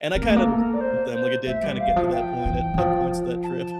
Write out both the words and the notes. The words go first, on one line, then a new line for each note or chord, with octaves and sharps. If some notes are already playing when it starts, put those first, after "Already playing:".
And I kind of agree with them, like, it did kind of get to that point at at points of that trip.
C4 A#4
A#3
A3
A#3 A4
A#4
D5
C5
C5
A3 E5
G3
F5
E3
F3
G5
E3
E3
F3
A5